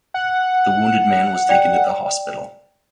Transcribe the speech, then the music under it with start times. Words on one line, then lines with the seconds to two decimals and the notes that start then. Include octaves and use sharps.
The wounded man was taken to the hospital.
0.14 F#5
1.49 D5 G5